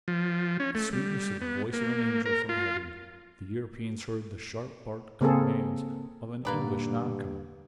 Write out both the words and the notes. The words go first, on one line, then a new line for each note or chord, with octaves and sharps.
With the sweetness of the voice of an angel from heaven the Europeans heard the sharp-barked commands of an English noncom.
F3
C#4
A3
G3
B3
A#3
A#4
F4
C#3 A#3 C4 G#4 A4
G2 A#2 D3 A#3 B4 D5